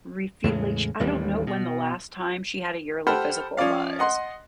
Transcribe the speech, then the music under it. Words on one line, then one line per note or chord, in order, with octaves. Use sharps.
refu like sh I don't know when the last time she had a yearly physical was.
E2 A2 C#3 G#3
A1 D#2 G3
B2
G4 A4 C5 F#5 B5 F6
F3 C#4 F4 D5 F5
D#5 F#5 C6